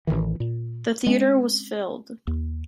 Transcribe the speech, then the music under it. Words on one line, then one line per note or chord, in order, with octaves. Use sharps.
The theater was filled.
A1 A2 D#3 E3
A#2
G#3 C4 C#4
D#2